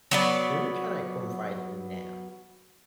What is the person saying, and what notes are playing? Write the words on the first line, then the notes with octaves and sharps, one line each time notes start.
Whom can I confide in now?
F#3 B3 D5